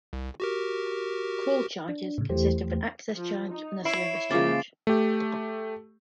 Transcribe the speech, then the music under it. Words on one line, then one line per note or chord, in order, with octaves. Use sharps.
Call charges consist of an Access Charge and a Service Charge.
C2
F#4 G4 A#4
D4
A2 C#3
E2 E3 A3 G4 C5
F3
D#4
E4 C#5 C7 D7 E7
C#3 F3 G#3 A#3 C#4 D6 A6
A3 G4